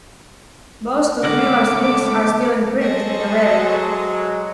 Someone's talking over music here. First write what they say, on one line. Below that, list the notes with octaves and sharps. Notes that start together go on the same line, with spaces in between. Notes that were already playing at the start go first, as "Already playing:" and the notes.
Most of Millar's books are still in print in America.
C#2 D3 A3 B3 A#4 F#5 D6
G#4 A4 C5 D#5 C#6
F#3 G#3